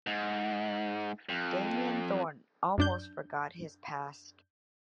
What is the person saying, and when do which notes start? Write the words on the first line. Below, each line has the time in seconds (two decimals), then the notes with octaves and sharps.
Damien Thorn almost forgot his past.
0.07 G#2
1.29 F2
2.78 F#2 D4 G6